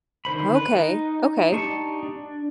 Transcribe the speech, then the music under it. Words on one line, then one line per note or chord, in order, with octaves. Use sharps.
Okay, okay.
D3 D#3 C5 B5
B4
D#4
D4 D#4 G4 A5 C#6
D4